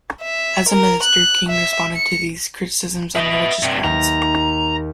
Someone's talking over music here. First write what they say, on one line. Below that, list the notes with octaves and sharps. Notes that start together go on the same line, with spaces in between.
As a minister, King responded to these criticisms on religious grounds.
E5
A#4
F#6
E5
C#7
B4 D#5 E5
G2 C3
D#2 A#5